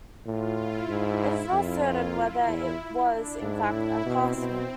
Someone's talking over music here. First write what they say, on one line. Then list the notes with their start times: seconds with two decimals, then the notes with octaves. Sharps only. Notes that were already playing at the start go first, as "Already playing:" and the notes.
It is not certain whether it was in fact a castle.
0.25 A2 F4
0.57 E4
0.89 G#2
1.20 E4
1.52 F2 F4
2.15 E4
2.46 E2
3.10 D4
3.42 G#2 E4
3.73 A2
4.05 B2 C4
4.37 B2